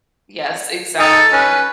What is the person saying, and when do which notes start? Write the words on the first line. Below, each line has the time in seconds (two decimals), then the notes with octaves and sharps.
Yes, exactly.
0.99 D#4 A4
1.33 C#4 B4